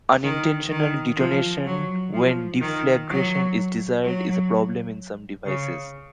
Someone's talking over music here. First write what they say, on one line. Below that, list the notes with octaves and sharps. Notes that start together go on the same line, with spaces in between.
Unintentional detonation when deflagration is desired is a problem in some devices.
D#3
D#3
F3
F#3
F3
D#3
F#3
F#3
C#3